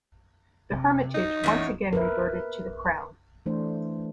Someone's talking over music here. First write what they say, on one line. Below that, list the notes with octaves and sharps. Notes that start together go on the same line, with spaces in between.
The Hermitage once again reverted to the Crown.
C3
D#4
E2 A2 C#4 C#5
A#4 B4 E5
E3 A3 D4 C5